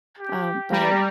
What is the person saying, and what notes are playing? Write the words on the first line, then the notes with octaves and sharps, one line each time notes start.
Um, but,
G4
G3 A#5